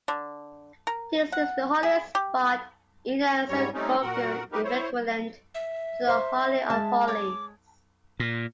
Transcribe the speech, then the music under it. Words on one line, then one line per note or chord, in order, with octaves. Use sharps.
This is the holiest spot in a synagogue, equivalent to the Holy of Holies.
D3
A#4
F#5
G#4
G4
G#2 G3 C#5
G3 A3 C4 C#4 D#4
A#2 F#4 A#4 F#5
A#3 D#4 G4 A#4 B4
E4 C5 C#5
E5
C5 C6
G#3 A5 A6
C#5 D6
A#2